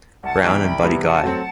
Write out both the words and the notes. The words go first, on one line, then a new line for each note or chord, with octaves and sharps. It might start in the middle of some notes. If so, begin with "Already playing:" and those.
Brown and Buddy Guy.
C2 F#5 A5
C3 E3 G3 B3 G5 B5
C2
C3 E3 G3 B3
C3 F#5 A5
F#3 A3 C4